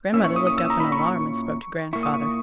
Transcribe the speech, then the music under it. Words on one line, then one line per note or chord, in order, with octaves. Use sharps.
Grandmother looked up in alarm and spoke to grandfather.
A#2 A#3 C#4 E4 E6
C#6
D#6
D#6
E6
A#5
B5
C#6
A#2 A#3 E4 C#6
D#6
C#6